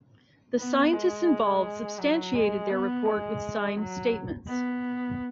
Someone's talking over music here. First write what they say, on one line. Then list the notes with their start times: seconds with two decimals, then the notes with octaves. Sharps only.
The scientists involved substantiated the report with signed statements.
0.58 B3
0.93 G#3
2.00 F#3
2.35 G#3
2.70 B3
3.06 G#3
3.77 F#3
4.48 B3